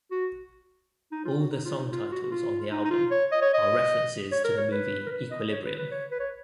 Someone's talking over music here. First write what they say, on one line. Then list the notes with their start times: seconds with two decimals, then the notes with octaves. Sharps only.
All the song titles on the album are references to the movie "Equilibrium".
0.11 F#4
1.12 D#4
1.25 F4
1.38 F#4
1.51 D#4
1.65 F4
1.78 D#4
1.92 F4
2.12 F#4
2.23 F#4
2.31 F4
2.72 D#4
2.85 D#4
2.91 F4
3.11 C#5
3.32 D#5
3.42 C#5
3.54 D#5
4.32 C#5
4.44 A#4
4.58 C#5
4.72 B4
5.06 A#4
5.11 B4
5.31 D#5
5.51 C#5
5.65 B4
5.79 B4
5.91 C#5
6.11 B4
6.20 C#5